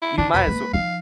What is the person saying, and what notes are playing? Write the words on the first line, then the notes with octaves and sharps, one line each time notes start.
you might as well
E4
D3 D4
E1 F2 B4
G#3 A#3
F3 D#4 F5